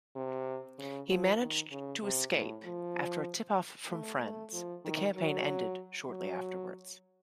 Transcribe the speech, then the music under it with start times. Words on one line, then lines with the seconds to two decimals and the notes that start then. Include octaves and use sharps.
He managed to escape after a tip-off from friends; the campaign ended shortly afterwards.
0.15 C3
0.78 C#3
1.09 F3
1.40 D#3
1.71 C#3
2.03 C3
2.34 A2
2.65 F3
3.90 A3
4.22 A3
4.53 F3
4.85 D#3
5.15 F#3
6.10 F#3